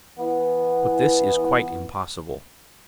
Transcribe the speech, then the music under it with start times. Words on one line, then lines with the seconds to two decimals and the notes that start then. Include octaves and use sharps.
But this is quite impossible.
0.18 E3 B3